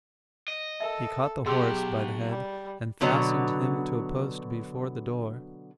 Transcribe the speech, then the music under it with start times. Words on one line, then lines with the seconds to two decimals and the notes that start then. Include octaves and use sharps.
He caught the horse by the head, and fastened him to a post before the door.
0.48 D#5
0.80 A4 A#4 E5
1.46 B2 F#3 G4 G#4 C6 E6
1.77 D6
2.29 G3
3.01 B2 D3 F#3 B3